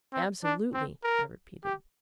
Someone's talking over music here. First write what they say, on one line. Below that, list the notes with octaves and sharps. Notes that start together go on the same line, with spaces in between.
"Absolutely!" I repeated.
C4
D4
C4
A#4
G4